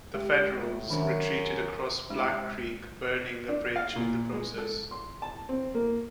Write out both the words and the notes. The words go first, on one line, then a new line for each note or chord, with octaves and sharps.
The Federals retreated across Black Creek burning a bridge in the process.
G#3 G4
A2
F#2 D#3 D4 E5
C3 G#3 D4 E4
D4
F5
A#2
G#3
A4
C6
A5
C4
A#3